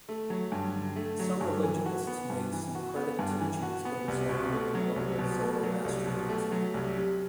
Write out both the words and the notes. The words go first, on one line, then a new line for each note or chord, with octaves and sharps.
Some religionists made syncretic teachings of Islam and local Zoroastrianism.
A3
F#3
G2
D3
A3
F#3
G2
E3
F#4
B3
G2
E3
F#4
B3
G2
E3
F#4
B3
C2
B2
A3
F#3
C2
B2
A3
F#3
C2
B2
A3
F#3
C2
C3